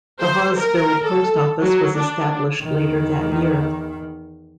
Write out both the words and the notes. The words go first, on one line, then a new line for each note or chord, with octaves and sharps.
The Hawesville post office was established later that year.
C5
A#4
A4
F#3
D4
E2 D#3